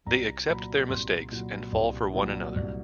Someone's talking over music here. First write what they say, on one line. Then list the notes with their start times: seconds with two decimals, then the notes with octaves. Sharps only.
They accept their mistakes and fall for one another.
0.06 C2 A#5
0.47 A#2 F#3 B5
0.89 C2 C6
1.31 A#2 F#3
1.72 C2
2.13 A#2 F#3
2.56 C2